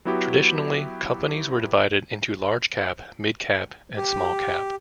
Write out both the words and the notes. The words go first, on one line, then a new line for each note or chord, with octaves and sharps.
Traditionally, companies were divided into large-cap, mid-cap, and small-cap.
F#3 B3 E4 F#4 G4
G4